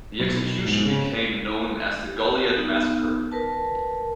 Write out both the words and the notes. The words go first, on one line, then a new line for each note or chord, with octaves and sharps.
The execution became known as the Goliad Massacre.
B1
G#2
C#3
G4
B3 D#4
A#4 B4 A5